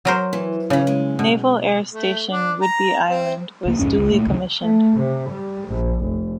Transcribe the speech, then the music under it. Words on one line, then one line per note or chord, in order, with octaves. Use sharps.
Naval Air Station Whidbey Island was duly commissioned.
F#3 A#4 C5
E3
C#3 E3 C#4
G#3
B2
A3
D4
A#5
C4
C#2 A#3
C2 F2 G#2 C#4
C#2
A#2 A3
C#2 C3 D#3
A3
C3
G3
A#1
F1